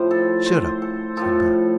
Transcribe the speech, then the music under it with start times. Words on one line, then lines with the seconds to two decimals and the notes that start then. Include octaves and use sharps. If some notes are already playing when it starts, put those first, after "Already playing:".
"Shut up," said Buck.
Already playing: A2 F3 C5
0.11 A4
0.46 C5
0.82 A4
1.17 A2 F3 A4